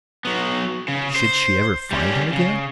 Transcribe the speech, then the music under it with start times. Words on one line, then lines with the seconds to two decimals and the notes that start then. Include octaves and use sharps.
Should she ever find him again?
0.25 F#3 B3
0.88 C#3
1.16 C5
1.91 G3 C#4
2.33 C#3